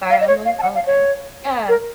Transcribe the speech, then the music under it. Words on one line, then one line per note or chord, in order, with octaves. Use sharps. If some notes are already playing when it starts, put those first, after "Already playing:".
Fire Emblem, oh okay. Yeah,
F5
D#5
C#5
F5
A5
F#5
F5
C#5
A#4